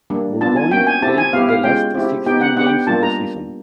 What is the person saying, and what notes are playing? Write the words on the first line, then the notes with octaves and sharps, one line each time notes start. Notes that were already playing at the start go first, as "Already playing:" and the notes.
Burgoyne played the last sixteen games of the season.
G3 A#3 D4
B3 D4 F4 A5
G#5
A#3 C#4 F#4 G5
G#5
C4 E4 G4 A5
G#5
B3 E4 G4 F5
F5
G#3 C#4 F4 G5
C4 E4 G4
B3 D#4 G4 G5
F#5
B3 D4 G4 F#5
G5
G3 A#3 D4 F4 A5
A#5